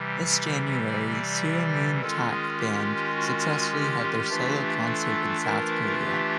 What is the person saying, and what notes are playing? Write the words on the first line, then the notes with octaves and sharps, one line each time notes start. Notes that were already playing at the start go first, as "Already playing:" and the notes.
This January, Seo Moon Tak Band successfully had their solo concert in South Korea.
Already playing: C3 E3 G3
D5
D#3 G#3 C#4 F4 A4
G#4
G4
F#4
G4
E3 A3 D4 F4
A4
A#4
G4